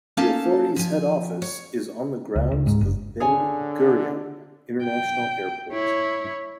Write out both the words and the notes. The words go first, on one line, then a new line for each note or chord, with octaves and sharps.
The authority's head office is on the grounds of Ben Gurion International Airport.
A#3 C#4 D#4 A4 F5 A5
F3 G#5
C#5
C#2
C#2
G#2
F#1
D3 G#4 C#5 G#5
G5
E4 C#5